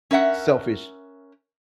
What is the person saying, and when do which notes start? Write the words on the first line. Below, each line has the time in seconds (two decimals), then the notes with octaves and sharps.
eh, selfish,
0.11 C#4 A#4 E5 F#5